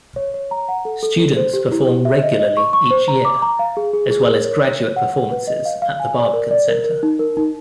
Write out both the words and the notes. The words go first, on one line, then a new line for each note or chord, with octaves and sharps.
Students perform regularly each year, as well as graduate performances at The Barbican Centre.
C#5
C#5
A#5
F#5
A4
A4
A4
C5
G4
E4
G4
E5
D#5
D#5
C#6
C#6
C5
A#5
D6
A#5
F5
G#4
G#4
G#4
A#4
C#5
C#5
C#5
F#5
F#5
B4
D#5
F5
F5
G#5
D5
A#4
D5
A#4
A#4
D#4
A#4
D#4